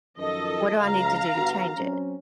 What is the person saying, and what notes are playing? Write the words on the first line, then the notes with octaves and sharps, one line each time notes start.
what do I need to do to change it,
F#2 D#3 F3 A4 D#5
C#2 F5 A#5
G1 B3 F#4
F#3 C4 C#4